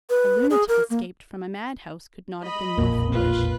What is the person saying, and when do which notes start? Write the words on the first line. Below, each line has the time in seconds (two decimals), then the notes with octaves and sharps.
A lunatic escaped from a madhouse could not have been more foolish.
0.10 B4
0.50 G#4
0.68 A#4
0.90 A#3
2.41 D#5 B5
2.78 E1 A#1 F2 A#2 A#3
3.13 F4 B4